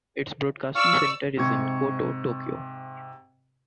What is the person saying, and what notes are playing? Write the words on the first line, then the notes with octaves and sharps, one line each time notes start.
Its broadcasting center is in Koto, Tokyo.
D5 F5 C#6 E6
G#2 C3 C#6 G#6 C#7